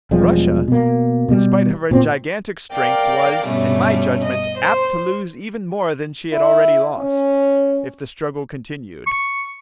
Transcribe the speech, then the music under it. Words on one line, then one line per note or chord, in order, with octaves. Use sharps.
Russia, in spite of her gigantic strength, was, in my judgment, apt to lose even more than she had already lost if the struggle continued.
E1 F3 G3 G#3
B2 A#3
B2 G3
A#2 C4
A#4 D5 F5 G5
G2 B2 G3 A3 C#4
D#5
C5
E4
C#4
C#6